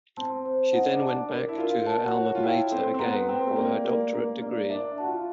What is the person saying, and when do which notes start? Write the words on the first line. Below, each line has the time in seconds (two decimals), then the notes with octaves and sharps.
She then went back to her Alma mater again for her doctorate degree.
0.17 C4 A5
0.46 C5
0.73 D#4 F#5
0.93 D4
1.02 A5
1.11 D4
1.30 D4 A#4
1.49 E4
1.58 F4 A#4
1.86 A5
2.05 F#4
2.15 C#5
2.25 F#4
2.35 F4
2.43 E4 G5
2.71 C4 A4
2.94 C4
2.99 B3 A#5
3.28 C4 G5
3.47 A3
3.56 A#3 D5
3.84 A#3 D5
4.13 A#3 D4
4.41 A#3 D5
4.70 D4 E5
4.98 F#4 A5
5.07 F4